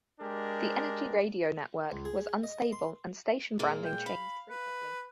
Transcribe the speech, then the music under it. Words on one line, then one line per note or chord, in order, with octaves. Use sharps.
The Energy Radio network was unstable and station branding changed frequently.
G#3 D4 G4 A#4
C#2
G#4
D#5
C6
A#2 G#3 A#3
G5
F5 B5
B4